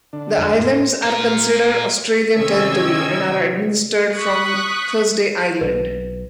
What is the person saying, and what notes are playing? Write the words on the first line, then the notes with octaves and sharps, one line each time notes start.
The islands are considered Australian territory and are administered from Thursday Island.
D3 D4
F2
A2 D#4 C6
F4 A#4
C3 D#3 C#4 D#5 E6 G#6
C#6 D#6 F#6 B6
B1 B4